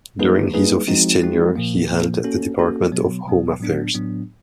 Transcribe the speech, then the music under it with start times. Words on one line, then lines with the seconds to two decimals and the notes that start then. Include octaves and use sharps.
During his office tenure he held the Department of Home Affairs.
0.19 G3 A#3 D#4 G#4 B4
0.54 G3 A#3 D#4 G#4 B4
0.87 F3 G#3 C4 D#4 F#4
1.22 F3 G#3 C4 D#4 F#4
1.55 A#2 F3 A#3
1.91 A#2 F3 A#3
2.24 A#3 C#4 F#4 A4
2.59 A#3 C#4 F#4 A4
2.92 B2 F#3 B3
3.26 B2 F#3 B3
3.60 A2 F#3 B3 D4
3.94 A2 F#3 B3 D4